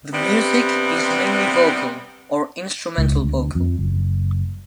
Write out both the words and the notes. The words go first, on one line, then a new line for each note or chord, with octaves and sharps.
The music is mainly vocal, or instrumental-vocal.
G2 C3 G3 B3
C#2
D2
F2
F#1